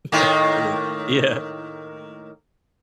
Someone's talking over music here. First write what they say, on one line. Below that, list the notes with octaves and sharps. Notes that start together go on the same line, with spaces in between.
actually." Yeah.
A2 D#3 A#3